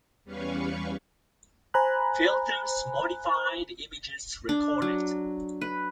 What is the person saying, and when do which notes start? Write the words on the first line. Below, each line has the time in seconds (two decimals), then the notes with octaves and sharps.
Filters modify the images recorded.
0.24 E2 G3 C#4 B4 F5 C#6
1.74 C5 G#5 A#5 B5 F#6
4.49 D4
4.82 F#3
5.61 B4